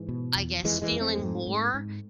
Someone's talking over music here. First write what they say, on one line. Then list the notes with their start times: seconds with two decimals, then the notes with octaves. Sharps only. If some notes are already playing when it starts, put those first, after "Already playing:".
I guess, feeling more
Already playing: G#2 E3
0.09 B2
0.36 E2
0.64 F2 E3 G#3
0.82 E3 G#3
0.92 F2
1.00 A3 C4
1.19 G#2
1.47 G#2
1.74 G#2